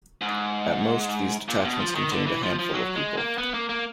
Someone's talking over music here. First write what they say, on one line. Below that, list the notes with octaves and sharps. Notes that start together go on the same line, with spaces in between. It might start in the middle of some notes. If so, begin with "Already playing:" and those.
At most these detachments contained a handful of people.
G#2
A#2
B2
F3
D#3
D3
E3
F3
F3
F#3
G#3
A#3
B3
A#3
A#3